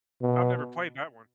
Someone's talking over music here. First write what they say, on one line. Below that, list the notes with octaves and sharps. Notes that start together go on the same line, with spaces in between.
I've never played that one.
B2